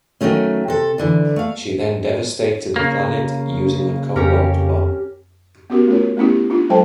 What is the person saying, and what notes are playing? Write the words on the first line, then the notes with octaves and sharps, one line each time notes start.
She then devastated the planet using a cobalt bomb.
D#3 F3 F#3 A3 C#4
C3 A4
D2 D3 E3
A3 F5
C#3 A#3
F2 C#4 G4 A#4
B3 C#4 F#4 G4 A#4
A3 C#4 F4 A#4 C#5
A3 B3 C#4 E4 G4
D4 F4
F#3 G#3 A4 C5 G5 A5